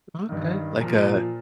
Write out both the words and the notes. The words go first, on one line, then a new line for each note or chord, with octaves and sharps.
Okay, like a
G2 D#3
A#2 F3